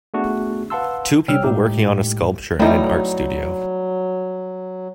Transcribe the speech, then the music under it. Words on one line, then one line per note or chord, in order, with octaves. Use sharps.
Two people working on a sculpture in an art studio.
A3 B3 D4 F#4 G#4
B4 F5 F#5 A5 C6 E6
C3 G3 C#5 G5 E6 F6
A2 G#3 D#4 G4
F#3 G3 A3 D#4 E4